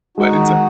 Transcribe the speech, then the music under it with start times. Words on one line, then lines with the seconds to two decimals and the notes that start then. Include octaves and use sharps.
But it's, uh
0.17 G#3 D#4 F#4
0.33 D#3
0.48 D#3